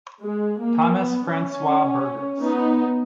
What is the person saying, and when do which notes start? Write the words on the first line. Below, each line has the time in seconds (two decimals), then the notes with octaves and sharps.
Thomas Francois Burgers.
0.23 G#3
0.60 A#3
0.96 B3
1.34 C#4
2.43 B3 D#4